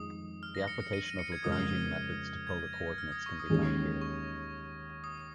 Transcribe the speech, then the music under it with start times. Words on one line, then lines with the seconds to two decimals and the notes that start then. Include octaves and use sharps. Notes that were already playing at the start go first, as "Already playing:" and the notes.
The application of Lagrangian methods to polar coordinates can be found here.
Already playing: F2 D#3 G#3 D#6
0.43 F6
0.55 A#6
0.68 C#7
0.81 C#7
0.93 D#7
1.06 D#7
1.19 C#7
1.32 G#6
1.44 F2 C#3 G#3 F4 A#4 D#6
1.52 F6
1.60 D#6
2.47 G#6
2.73 A#6
2.98 F6
3.12 D#6
3.26 C#6
3.40 D#6
3.50 D#2 D#3 G#3 C#4 G#4
4.02 C#6
5.04 D#6